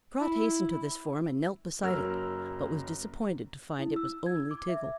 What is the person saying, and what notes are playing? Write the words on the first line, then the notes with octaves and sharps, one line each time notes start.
Trot hastened to this form and knelt beside it, but was disappointed to find it was only Tiggle.
E4
F#1 F#3 A#3 A#4 E6 F6
E4
E6
G#6
D6
E5